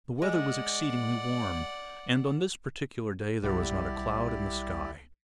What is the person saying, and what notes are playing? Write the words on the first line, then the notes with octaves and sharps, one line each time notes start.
The weather was exceedingly warm, and on this particular day there was not a cloud in the sky.
G#3 D5 F#5
B1 G3 E4 G4 D5 F#5